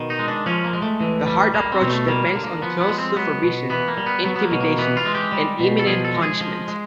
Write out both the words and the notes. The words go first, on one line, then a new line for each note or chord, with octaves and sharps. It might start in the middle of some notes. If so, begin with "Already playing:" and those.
The hard approach depends on close supervision, intimidation, and imminent punishment.
Already playing: B2 D#3
D#4
G#3
D4
F3 C#4
A#3
G#3
A3
E3
G3
G3 A#3
C4
B2
A3
G3 A#3
A#3
D3
A#3
F3 B3
B3
G#3
C4
F#3 B3
B2
E3 B3
A#3
G3
B3
F#3 B3
B3
A#3
B2
A#3
E3 B3
F4
G#3
G4
G3
B2
A4
F3 G#4
A4
G#3
G#4
F3
G#3